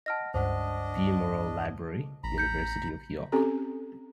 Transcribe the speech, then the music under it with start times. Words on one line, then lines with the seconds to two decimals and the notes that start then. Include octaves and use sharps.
B. Morrell Library, University of York.
0.06 D#5 F#5 A5 F6 A#6
0.34 C#2 G2 D4 C5 D#5 F#5
2.24 A1 A#5 B5
2.38 G6 C#7
3.32 C4 C#4 G4 A4 A#5